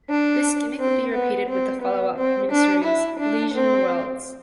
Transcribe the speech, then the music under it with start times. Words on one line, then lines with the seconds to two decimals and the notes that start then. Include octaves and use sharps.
This gimmick would be repeated with the follow-up miniseries "Legion Worlds".
0.11 D4
0.79 C4
1.14 B3
1.48 C4
1.82 B3
2.17 C4
2.50 D4
2.85 E4
3.19 D4
3.54 C4